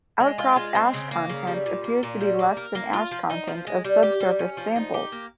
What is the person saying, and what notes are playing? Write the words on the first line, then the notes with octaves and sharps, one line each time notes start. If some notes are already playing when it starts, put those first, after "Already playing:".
Outcrop ash content appears to be less than ash content of subsurface samples.
G#3
F4
G#3
C4
C#3
A#3
C#3
G3
A#2
A#3
A#2
G3
A#3
A#4
A#3
F4
F3
D#4
F3
G#3
G3
G4
G3
C#4
F3
D#4
G4
A#3